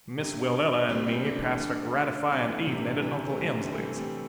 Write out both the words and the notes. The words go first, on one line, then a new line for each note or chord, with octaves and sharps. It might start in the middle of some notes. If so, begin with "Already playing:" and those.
Miss Willella and me passed a gratifying evening at Uncle Emsley's.
G2 C3
G3 C4
G3 C4
A3 D4
E3 A3
D4
A3 D4
G3 C4
E3 A3
G2 C3
A2 D3
C3 E3
A3
D3 G3
C4
E3 A3
G3 C4